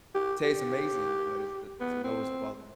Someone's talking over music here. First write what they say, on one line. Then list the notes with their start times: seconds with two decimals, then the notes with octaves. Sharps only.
tastes amazing, but it's the it's the lowest quality.
0.15 G4
0.44 G4
1.80 B3
2.04 C4